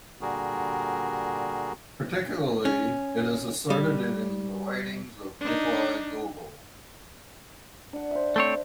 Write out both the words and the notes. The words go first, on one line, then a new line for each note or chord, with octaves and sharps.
Particularly, it is asserted in the writings of Nikolai Gogol.
A#2 D3 G3 F#4 G#4 A#4
C#4
G3
D4 D#4
D4 F#5
C5 E5
A3 C4 C#5